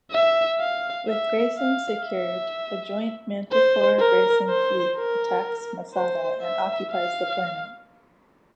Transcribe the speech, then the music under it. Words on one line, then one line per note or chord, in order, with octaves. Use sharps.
With Grayson secured, a joint Manticore-Grayson fleet attacks Masada and occupies the planet.
E5
F5
E5
F5
E5
C5
A#4
C5
A#4
C5
E5
F5